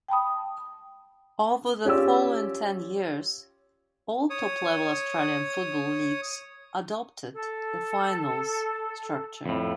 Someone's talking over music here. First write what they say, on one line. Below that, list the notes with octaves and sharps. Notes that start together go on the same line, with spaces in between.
Over the following ten years, all top-level Australian football leagues adopted a finals structure.
G5 A5 B5 D#6
C#4 F4 G4 D5 E6
C#5 D#6
A4
F2 A2